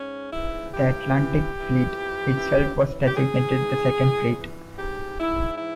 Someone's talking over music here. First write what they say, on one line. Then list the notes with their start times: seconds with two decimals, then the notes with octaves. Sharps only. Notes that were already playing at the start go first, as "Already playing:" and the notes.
The Atlantic Fleet, itself, was designated the Second Fleet.
Already playing: G#2 C#4
0.33 E3 E4
0.74 G2 G4
1.14 E3
1.54 E3
1.94 F2
2.35 E3
2.76 E3
3.07 G4
3.16 G#2 G#4
3.57 E3
3.97 E2
4.38 E3
4.77 G#2 G4
5.18 G#2 E4
5.58 E3 E4